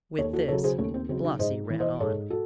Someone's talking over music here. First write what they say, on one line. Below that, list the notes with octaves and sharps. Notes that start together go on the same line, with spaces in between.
With this Blasi ran on.
D#2 A4 C#5
F#4 A4
C#3 F#3 A4 C#5
G#4 C5
D#2 A3 C#4
C4
C#3 F#3 C4
D#4 F#4
G#2 C5 D#5
E3
C5 D#5
G#2 A4 C#5
F#4 A4